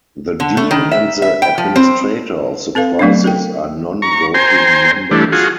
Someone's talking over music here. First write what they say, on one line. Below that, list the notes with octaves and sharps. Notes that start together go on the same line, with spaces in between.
The dean and the administrator of the prizes are non-voting members.
D3
A3
D#3
E5
E5
G5
F3
C4
C4 A4 B4 F5
F#3 A3 B3 C4 D4
A4 A#4 G5
A#5 C#6
C5 G5 G#5 A#5 C6
E3 G3 A3 D4
F4 F#4 G#4